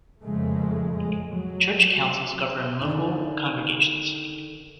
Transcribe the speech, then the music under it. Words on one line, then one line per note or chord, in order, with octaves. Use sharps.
Church councils govern local congregations.
F2 A#2 C#3 G#3 A3
G#3
F#3
D3 D#3